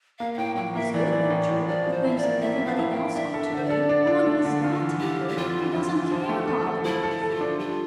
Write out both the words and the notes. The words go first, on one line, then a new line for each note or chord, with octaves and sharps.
When he is good-natured, he thinks everybody else ought to be; and when he is bad-tempered he doesn't care how other people feel.
A#3 F5
F5
A2 G5
A2 G5
A#3 E5
E3 D5
E3
A2
A2
F3 D5
F3
C5
E4 E5
D5
A#3
A2 E5
F3
F5
E4
G5
E4
D4 E5
A4
E5
D3 C5
D5
A4
D4
D4
A3
D3
F4
E3
E3 G4
E3
G4
F2 F4
E3
F2
E3
F3
A3
A4
A3
F3 E4
A4
E4
A4
G4
F4
D4
G3 F4